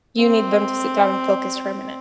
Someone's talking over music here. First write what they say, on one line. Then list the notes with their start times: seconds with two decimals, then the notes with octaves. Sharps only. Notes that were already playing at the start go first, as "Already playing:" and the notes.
you need them to sit down and focus for a minute.
0.19 C4